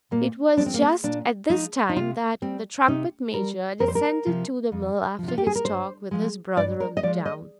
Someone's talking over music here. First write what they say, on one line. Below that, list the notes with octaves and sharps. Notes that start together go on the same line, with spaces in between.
It was just at this time that the trumpet-major descended to the mill after his talk with his brother on the down.
A#2 A#3
F3 G#3 D4
C4
A#3
C4
A#2 D4
F3 G#3 D#4
D#4
C3 F4
G3 C4
C3 D#4
G3 A#4
F2 A#4
C5
A#4
C3 F3
F2
C3 F3
F4
G4
G#4
A#4
G2 C5
F3 G#3
G2 D5
A#4
D#5
F3 G#3 D5
D#5